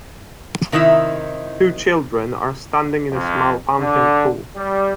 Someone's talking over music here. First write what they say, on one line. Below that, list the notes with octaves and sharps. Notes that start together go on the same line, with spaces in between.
Two children are standing in a small fountain pool.
C3 D#3 D#4 E4 E5
F2
D3
G3